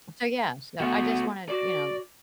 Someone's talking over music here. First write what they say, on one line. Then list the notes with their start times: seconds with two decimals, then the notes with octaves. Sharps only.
so yeah, so, I just wanna, you know,
0.80 A3 B3 F#4
1.50 F#4 D5